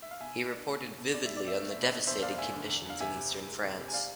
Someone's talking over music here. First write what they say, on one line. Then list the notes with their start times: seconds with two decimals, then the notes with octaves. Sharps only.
He reported vividly on the devastated conditions in eastern France.
0.02 E5
0.11 F5
0.20 B2 E5 G#5
0.36 B2
0.52 D4
0.67 A3
0.83 B2
0.98 B2
1.14 B2 D5
1.26 B2 E5
1.37 D5
1.44 C4 E5
1.59 A3 D5
1.71 E5
1.76 B2
1.82 B4 D5
1.92 B2
2.07 E2 C5 E5
2.22 E2 D5 F5
2.34 F5
2.38 A3 E5 G#5
2.54 D3
2.69 E2
2.85 E2 F5
3.00 C3 E5 G#5
3.16 C3
3.31 C4
3.47 G#3
3.63 C3
3.78 C3
3.88 G#5
3.93 C3 D5 F5